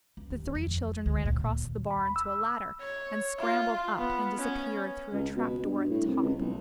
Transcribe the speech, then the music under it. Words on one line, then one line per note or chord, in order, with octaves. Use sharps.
The three children ran across the barn to a ladder and scrambled up and disappeared through a trap door at the top.
C#2
D#2
F2
D2
A#2
D#2
B5
E6
C#5
F4
B3
C#4
C#2
B2
G2
A2
C2
C#2
B1